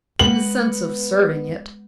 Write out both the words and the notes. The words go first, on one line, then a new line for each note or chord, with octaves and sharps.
"In the sense of serving it."
G#3 B3 F#7